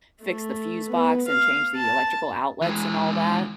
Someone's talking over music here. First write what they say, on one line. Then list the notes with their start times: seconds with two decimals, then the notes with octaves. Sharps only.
fix the fuse box, and change the electrical outlets, and all that,
0.23 A3
0.89 B3
1.28 F5
1.76 A5
2.62 E3 G#3